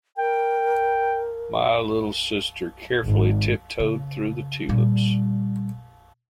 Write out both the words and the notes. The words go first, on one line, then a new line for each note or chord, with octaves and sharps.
My little sister carefully tiptoed through the tulips.
A#4 G5
G#1
C#3
A#2 G3